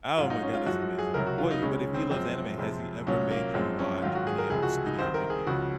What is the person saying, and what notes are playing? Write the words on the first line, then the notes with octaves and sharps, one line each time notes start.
Oh my god, that's amazing. Wait, but if he loves anime, has he ever made you watch any of the Studio Ghibli movies?
G#2 F#3 F4
D#4
C#4
F4
F#2 F3 G#3 F#4
F#4
G#4
C#2 C3 F#3 A#4
F#4
F4
D#4
C#2 C#3 G#3 C#4
C#4
C4
F#2 F3 G#3 C4
F2 C3 F3 G#3
C2 A#2 F#3 C#4
A#3
F#2 F3 G#3 C4
C#4
G#2 D#3 F#3 F4
F#4
G#4
A#4
C#2 C3 F3 G#3 G#4
F#4
D#4
C2 C3 D#3 C5
A#4
G#4
C#2 C#3 F3 F#4